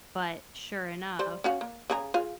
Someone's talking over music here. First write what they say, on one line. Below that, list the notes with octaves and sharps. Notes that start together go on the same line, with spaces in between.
but sure enough
G3 C5
C#4 F#4 F5
A#3
C#3 G#4 A#5
F4 G#4 F5